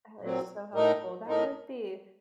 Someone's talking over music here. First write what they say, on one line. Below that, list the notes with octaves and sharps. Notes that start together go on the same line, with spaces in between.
That is so helpful. That would be.
A#2 F#3 C4
A2 A3 D#4 A#4
A2 A3 D#4 A#4